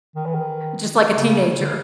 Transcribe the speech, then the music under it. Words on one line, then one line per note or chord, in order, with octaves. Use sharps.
Just like a teenager.
D#3
E3
D#3
C#3
D3